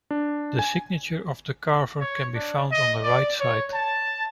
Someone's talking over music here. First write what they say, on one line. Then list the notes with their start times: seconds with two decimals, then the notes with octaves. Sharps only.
The signature of the carver can be found on the right side.
0.11 D4
0.59 G#5
2.00 C#5
2.36 D4
2.72 D#5
3.03 D5
3.39 C#5
3.73 A5